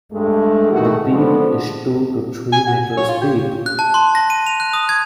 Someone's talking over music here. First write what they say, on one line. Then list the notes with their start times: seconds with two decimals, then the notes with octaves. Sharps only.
The peat is two to three metres deep.
0.12 G2 G#3 A3
0.69 B2 D#3 E3 A3 F#4
1.09 D3 F3 G#3 B3 C4 A4
2.53 G#5
2.67 F#4
2.81 G#5
2.97 C#5
3.09 F4
3.22 G4
3.66 F#6
3.79 A5
3.94 C6
4.15 A#6
4.30 D#7
4.46 F7
4.60 F#6
4.73 D#6
4.89 G#6